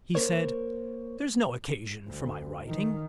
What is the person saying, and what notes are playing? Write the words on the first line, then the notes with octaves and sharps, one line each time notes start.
He said, 'There's no occasion for my writing.
A#3 A#4 C5 C#5
D2
D#3